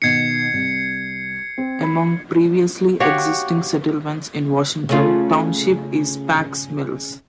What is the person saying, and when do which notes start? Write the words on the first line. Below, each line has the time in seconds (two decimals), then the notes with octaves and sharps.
Among previously existing settlements in Washington Township is Pack's Mills.
0.02 B2 D#3 G#6 C7 C#7
0.53 C2
1.58 C4
1.83 B5
3.00 F#4 G4 C#5 F5
4.89 C#3 A3 F4